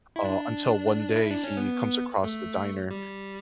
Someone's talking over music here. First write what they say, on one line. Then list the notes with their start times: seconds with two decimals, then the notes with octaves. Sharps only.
uh, until one day he comes across the diner
0.16 E4
0.24 D4
1.16 E4
1.30 D4
1.44 C#4
1.57 B3
2.24 A3
2.91 G3